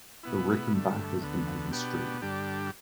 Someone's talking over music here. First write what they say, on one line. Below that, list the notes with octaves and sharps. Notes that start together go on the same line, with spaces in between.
The Rickenbach is the main stream.
B2 B3 E4
G2 D3 A3
D2 D3 B3
B2 B3 D4 G4
G2 D3 G3 D4 G4